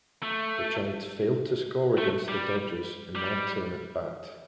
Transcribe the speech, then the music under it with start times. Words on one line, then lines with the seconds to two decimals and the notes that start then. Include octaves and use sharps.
The Giants failed to score against the Dodgers in their turn at bat.
0.23 A3
1.98 A3
2.28 G3
3.15 G3